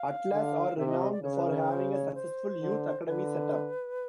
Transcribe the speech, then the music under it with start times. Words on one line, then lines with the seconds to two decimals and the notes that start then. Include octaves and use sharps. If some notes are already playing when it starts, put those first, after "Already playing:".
Atlas are renowned for having a successful youth academy setup.
Already playing: F5
0.32 D3
0.77 C3 E5
0.88 D#5
1.00 D#5
1.12 D5
1.23 C#3 C#5
1.35 B4
1.45 A#4
1.57 B4
1.69 C5
1.92 C#5
2.15 C5
2.61 D3
3.07 D3 B4